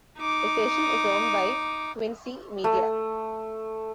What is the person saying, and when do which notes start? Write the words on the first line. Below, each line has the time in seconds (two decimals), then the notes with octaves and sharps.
The station is owned by Quincy Media.
0.19 D#4 D6
2.64 A3